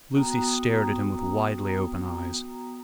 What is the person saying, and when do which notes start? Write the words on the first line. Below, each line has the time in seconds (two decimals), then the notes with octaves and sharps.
Lucy stared at him with widely-open eyes.
0.15 B3 F#4 G5 A#5 D#6